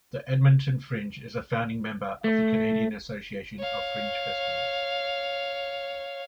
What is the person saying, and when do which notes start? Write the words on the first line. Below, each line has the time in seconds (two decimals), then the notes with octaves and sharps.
The Edmonton Fringe is a founding member of the Canadian Association of Fringe Festivals.
2.24 A3
3.59 C#5 F5